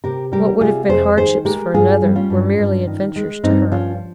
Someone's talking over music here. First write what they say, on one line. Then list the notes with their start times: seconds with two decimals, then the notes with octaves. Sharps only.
What would have been hardships for another were merely adventures to her.
0.04 C3 G4 A#4
0.32 G3 G4 A#4
0.61 C3 F4 G#4
0.89 F2 G#4 C5
1.17 D#3 G#4 C5
1.45 G#3 G4 A#4
1.74 G2 F4 G#4
2.02 G3
2.16 C#4 F4
2.30 G2
2.58 G2
2.87 D#3
3.16 G#3
3.44 G2 C4 D#4
3.72 F3 C#4 F4